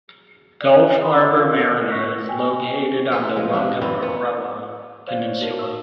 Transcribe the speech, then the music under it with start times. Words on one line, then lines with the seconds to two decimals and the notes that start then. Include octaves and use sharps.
Gulf Harbour Marina is located on the Whangaparaoa Peninsula.
0.61 D5 F#6
1.01 D#5 B5 C6 D#6
1.36 F4 A4 A#4 C#5 D#5 F5
1.90 C#6 E6 F#6 A#6 B6
2.29 G5 G#5
3.12 A4 B4 C5
3.36 F3 G#3 F4
3.53 A1 D4 E5
3.81 F#2 E3 C4
4.02 B3
5.08 C5 D5 F5
5.24 C#5
5.41 D#4 F#4 A#4
5.59 E6